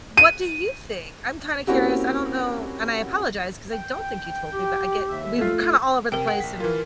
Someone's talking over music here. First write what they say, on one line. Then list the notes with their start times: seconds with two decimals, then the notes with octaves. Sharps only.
what do you think? I'm kinda curious, I don't know, and I apologize 'cause I don't think you told me, but I get we've kinda all over the place. And,
0.17 D#7
1.67 A#3 C4 C#4 E4 F#4 G4
3.73 G5
4.53 G4
5.09 D#2 E5
5.38 A3 F4
6.12 C3 A#4 G5
6.27 G#4 F#5 G5
6.40 A#1 B6
6.60 E3 F4 A#4